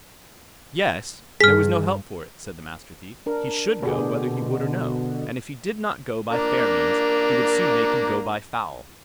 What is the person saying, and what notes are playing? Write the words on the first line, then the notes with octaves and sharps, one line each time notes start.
Yes, there was no help for it, said the Master Thief; he should go whether he would or no; and if he did not go by fair means, he would soon make him go by foul.
G2 G#4 F6 B6
D4 A#4
B2 D3 B3 G4 G#4
A#3 D4 A#5